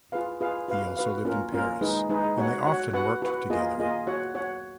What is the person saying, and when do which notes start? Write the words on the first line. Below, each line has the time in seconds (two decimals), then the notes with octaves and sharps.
He also lived in Paris and they often worked together.
0.12 F4 G#4 B4 F5
0.40 F4 G#4 B4 F5
0.68 F#4 B4 F5
0.97 F#4 B4 F5
1.25 A#3 C#4 F4 A#4
1.53 A#3 C#4 F4 A#4
1.81 G#3 D#4 G#4 B4
2.09 G#3 D#4 G#4 B4
2.38 F#4 C#5 F#5
2.65 F#4 C#5 F#5
2.93 F#4 B4 F#5
3.22 F#4 B4 F#5
3.50 A#3 F4 G#4 D#5
3.78 A#3 F4 G#4 D#5
4.07 F#4 C#5 F#5
4.35 F#4 C#5 F#5